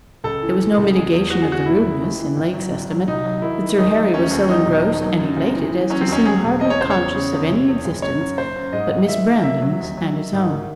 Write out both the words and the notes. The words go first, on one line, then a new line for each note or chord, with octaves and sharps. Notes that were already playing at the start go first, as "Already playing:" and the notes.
It was no mitigation of the rudeness, in Lake's estimate, that Sir Harry was so engrossed and elated as to seem hardly conscious of any existence but Miss Brandon's and his own.
C#2 A4
E3
E3
C#2
E2 G#4
E2
E3 F#4
G#4
E2 F#4
E1 E4
C#3
D#2
E3
G#1
F#3
G#1
F#3
C2 D#4
F#3
D#3 E4
D#3
D#2 D#4
F#3
D#2 C#4
D#2
F#3 D#4
E1
D#3
F#3
F#2
F#1
E3
E3
F#3 C#4
C4
D#2 C#4
F#3 G#4
E1
E2 D#5
C#5
C#3 C5
C#5
E2
C#3
E2
C3
E2
F#1
F#2 C#5
F#2
F#1 C5
F#2
G#2 D#5
G#1
D#3 E5
D#3
F#3 E5
F#3
D#2
F#3
D#3
G#2
D#3